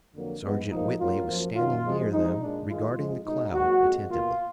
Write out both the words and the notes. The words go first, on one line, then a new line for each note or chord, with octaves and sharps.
Sergeant Whitley was standing near them regarding the cloud attentively.
F2 D3 F#3 A#3
G#2 F3 G#3 B3
A#2 F3 A#3 D#4
G#2 F#3 A#3 F4
F#2 F3 A#3
F#2 D#3 F#3 F4
F#2 F3 G#3
F2 F3 G#3 D#4
A#2 G#3 D4
G#2 D#3 G#3 F4
F2 F3 G#3
B2 G#3 D#4
G#2 F#3 A#3 F#4
F2 F3 G#3
B2 A#3 F4